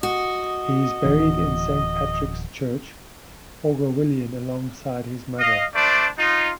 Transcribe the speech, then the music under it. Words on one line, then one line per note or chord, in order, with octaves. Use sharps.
He is buried in Saint Patrick's Church Aughawillan alongside his mother.
F#4 D#5
D1 E3 D4
D#5 F5
A3 D4 C5 D5
D#4 F4